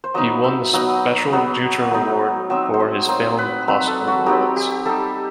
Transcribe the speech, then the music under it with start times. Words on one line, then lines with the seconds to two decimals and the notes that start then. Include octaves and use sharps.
He won the Special Jutra Award for his film "Possible Worlds".
0.04 C5
0.14 F#3 B3 D#4 D#5
0.44 E5
0.73 F#3 B3 D#4 D#5
1.32 F#3 B3 D#4
1.91 F#3 B3 D#4
2.50 F#3 C4 D#4 E5
2.74 C5
2.80 D#5
3.08 F#3 C4 D#4 C5
3.38 B4
3.68 F#3 C4 D#4 B4
3.87 A4
4.08 F#4
4.26 F#3 C4 D#4 G4
4.56 G4
4.86 G3 D#4 A4